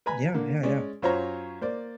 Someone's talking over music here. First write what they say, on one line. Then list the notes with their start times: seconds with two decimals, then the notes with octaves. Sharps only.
Yeah, yeah, yeah,
0.06 B4 G#5 A#5 B5
0.34 D3 A#3
0.63 G#3 C#4 D5
1.02 F#2 F4 C5 C#5 A#5
1.61 A#3 C5 D5